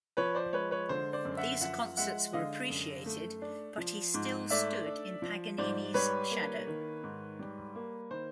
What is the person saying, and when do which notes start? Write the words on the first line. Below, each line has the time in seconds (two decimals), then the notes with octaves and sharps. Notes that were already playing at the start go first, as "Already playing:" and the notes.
These concerts were appreciated, but he still stood in Paganini's shadow.
0.17 F3 B4 C#5
0.35 C5 D5
0.53 G#3 B4 C#5
0.71 B4 C#5
0.89 D3 C5
1.13 C5 D5
1.25 F#2
1.37 E5 F#5
1.61 F3 E5 F#5
1.97 G#3 E5 F#5
2.33 D3 D#5 F5
2.70 F#2
3.06 A3
3.42 D4
3.78 F3
4.14 G#2
4.50 A3 D5 E5
4.86 D4
5.22 F3
5.58 G#2 C5 D5
5.94 G3 B4 C#5
6.31 A#3
6.67 D#3
7.03 G#2
7.39 G3
7.75 A#3
8.11 D#3 C5